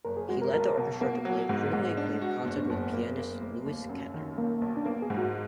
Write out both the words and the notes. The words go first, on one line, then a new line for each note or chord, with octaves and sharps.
He led the orchestra to play a critically acclaimed concert with pianist Louis Kentner.
F#1 A#4
G#4
G#3 F#4
A#4
B1 A#4
B2
A#3 B3
F#3
G#2
G#2
D4
F#4
F#1 B3
D4
F#1 B3
A#3
A#3
F1
D#2
F#2
D#3
B1 A#3
B1
D4
A#3 B3
G#4
G#2
F#4